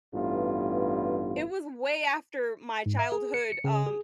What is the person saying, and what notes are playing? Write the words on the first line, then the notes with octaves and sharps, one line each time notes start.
it was way after my childhood, um,
A1 G2 B3 F4
G#2
E5
G#4
C#7
C#7
C#3
G#4